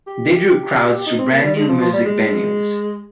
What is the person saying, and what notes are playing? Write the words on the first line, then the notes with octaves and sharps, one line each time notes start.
They drew crowds to brand new music venues.
G4
D#4
C4
A#3
G3
G#3
F3
F3
G3
G#3